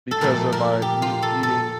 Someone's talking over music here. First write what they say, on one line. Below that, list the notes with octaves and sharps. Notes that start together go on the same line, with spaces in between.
because of I me eating
A4
A#2 F3 A3 A#4
A#4
G4
F4
A4
A4